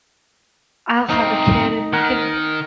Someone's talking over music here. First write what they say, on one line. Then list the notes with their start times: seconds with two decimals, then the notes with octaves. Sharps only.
I'll have a kid, and we can
1.09 C4 D#4 A#4
1.93 D#3 A#4 F#5 G#5